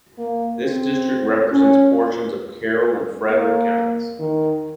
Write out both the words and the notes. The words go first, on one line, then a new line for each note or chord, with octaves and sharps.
This district represents portions of Carroll and Frederick Counties.
A#3
C4
C#4
A#3
D#3